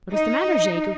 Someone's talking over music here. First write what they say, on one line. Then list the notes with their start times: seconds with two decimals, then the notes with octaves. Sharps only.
'What is the matter, Jegu?
0.13 D#4